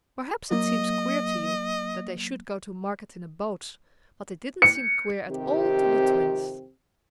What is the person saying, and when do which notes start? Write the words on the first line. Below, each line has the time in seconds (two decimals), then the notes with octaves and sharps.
Perhaps it seems queer to you that they should go to market in a boat, but it didn't seem queer at all to the Twins.
0.51 F#3 A#3 D#5
4.62 C#7
5.29 F2 C3 D#3 C4 G4